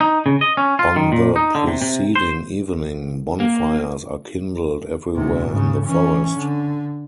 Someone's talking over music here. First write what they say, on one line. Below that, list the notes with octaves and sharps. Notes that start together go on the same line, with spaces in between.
On the preceding evening, bonfires are kindled everywhere in the forest.
D#4
C#3
D#5
C#4
F4
D#3
A#2
D#4
D3
C3
C3
C5
A#3
D2 C3
G#2 C#3
E3 C#4
D3